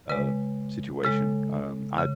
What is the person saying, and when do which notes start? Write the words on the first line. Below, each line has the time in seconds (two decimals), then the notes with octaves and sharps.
uh, situation. Um, I
0.10 C#3 G#3 B4
1.04 C#3 G#3 A4
1.98 C#3